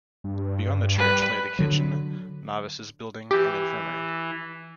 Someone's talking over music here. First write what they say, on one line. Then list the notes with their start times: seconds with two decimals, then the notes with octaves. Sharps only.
Beyond the church lay the kitchen, novices' building and infirmary.
0.24 G2
0.98 G3 B4
1.59 D3 F#3
3.31 E3 G4